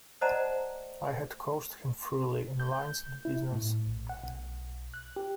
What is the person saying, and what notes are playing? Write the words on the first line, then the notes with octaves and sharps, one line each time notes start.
I had coached him thoroughly in lines and business.
C5 D5 D#5 F#5 A5 A#5
G6
E4
A2
A#1
F#5
B1
F#6
G4